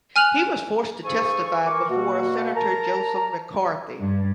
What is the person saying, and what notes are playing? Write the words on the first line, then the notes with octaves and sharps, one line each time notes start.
He was forced to testify before Senator Joseph McCarthy.
G#5 F6 F#6 F7 F#7
G#2 G#4 A4 F5 G#5 C#6
E3 A#4 C#6 D6
B2 A#3 F#4
A#4 A5 A#5
G2